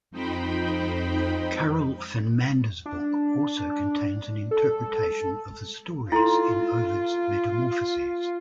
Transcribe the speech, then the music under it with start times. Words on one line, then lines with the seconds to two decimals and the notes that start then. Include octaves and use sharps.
Karel van Mander's book also contains an interpretation of the stories in Ovid's "Metamorphoses".
0.11 F2 D#4 C5 G5 B5
2.86 D4
4.51 A4
6.12 E4 F4 A4 C6